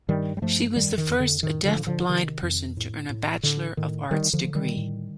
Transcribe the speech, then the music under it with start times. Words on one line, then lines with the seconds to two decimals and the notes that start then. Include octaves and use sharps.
She was the first deaf-blind person to earn a bachelor of arts degree.
0.08 G2 D#3 G3
0.37 G3
0.42 G2 F3 A3
0.76 F2 D#3 G3
0.98 D#3
1.09 F2
1.20 D3
1.42 A2 D#3
1.65 D3 F3
1.77 A2
1.87 D3 F3
2.09 C3 D#3
2.43 F2
2.77 A2
3.10 A2
3.43 A2 D3
3.77 A2 D#3
4.10 D3 D#3 G3
4.33 D3 F3
4.44 D3
4.55 D#3 G3
4.77 A2